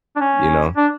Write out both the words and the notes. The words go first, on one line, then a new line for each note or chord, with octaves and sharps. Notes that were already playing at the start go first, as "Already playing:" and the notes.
you know?
D4
C#4
D4